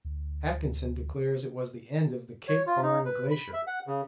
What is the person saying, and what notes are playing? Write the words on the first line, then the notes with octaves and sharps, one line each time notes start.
Atkinson declares it was the end of the Cape Barne Glacier.
D2
C#5
F4
D#4
B4
B5
E5
F#5
C#3